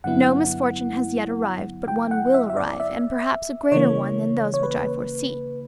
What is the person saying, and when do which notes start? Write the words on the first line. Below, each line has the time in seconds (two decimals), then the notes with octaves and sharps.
No misfortune has yet arrived, but one will arrive, and perhaps a greater one than those which I foresee.
0.04 G2 D3 F#3 B3 E4 F#5
1.88 G5
2.11 F#5
2.34 E5
2.50 E5
2.57 D5
2.80 E5
3.72 C#3 E3 A#3 C#5
4.54 C#5
4.63 B4